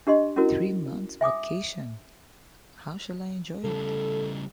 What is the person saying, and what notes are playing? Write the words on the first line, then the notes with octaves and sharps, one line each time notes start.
Three months' vacation, — how I shall enjoy it!
D4 G4 D#5 C6
C#4 E4 F#4 A#4
E5 G#5 D6 D#6
C#3 G3 A4